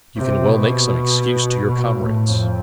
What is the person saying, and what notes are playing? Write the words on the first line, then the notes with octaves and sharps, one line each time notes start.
You can well make some excuse to your comrades.
C3
B2
B2
A2
F2